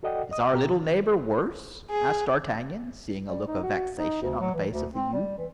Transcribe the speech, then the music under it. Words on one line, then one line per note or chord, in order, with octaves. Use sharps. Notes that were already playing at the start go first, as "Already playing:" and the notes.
"Is our little neighbor worse?" asked D'Artagnan, seeing a look of vexation on the face of the youth.
F#4 A4 D5 D#5 F#5 G5
D#5 D#6
C2 B2 G4 A#5
D#3
G#4
G3
D#4
F#4
D#4
D2
F#3
E3
D2
C4
G3
E3